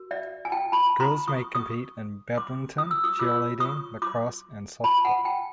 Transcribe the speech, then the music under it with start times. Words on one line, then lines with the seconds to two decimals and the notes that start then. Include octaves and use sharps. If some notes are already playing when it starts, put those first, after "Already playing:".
Girls may compete in badminton, cheerleading, lacrosse and softball.
Already playing: F#4 A#4
0.11 D5 E5
0.45 G#5
0.52 G5 A5
0.72 A5 B5
1.00 A#5 C6
1.27 C#6 D#6
1.55 C#6 D#6
2.37 C6 D6
2.78 D#6
2.91 E6
3.04 C#6 D#6
3.19 F4 A#4 C#5 D6 E6
3.60 C#6 D#6
4.02 C6 D6
4.84 A5 B5
5.04 F#5 G#5
5.25 G5 A5